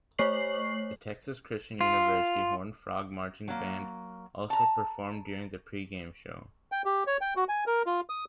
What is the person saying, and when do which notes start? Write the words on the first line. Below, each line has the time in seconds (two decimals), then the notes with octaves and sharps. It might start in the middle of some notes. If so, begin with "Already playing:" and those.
The Texas Christian University Horned Frog Marching Band also performed during the pregame show.
0.19 A3 C5 C#5 C#6 C7 F#7
1.81 F4
3.48 F#3 A#3
4.50 A5 A#5
6.72 G5
6.85 G4
7.07 C#5
7.21 G5
7.36 F#4
7.49 G#5
7.67 A#4
7.86 F4
8.09 D#6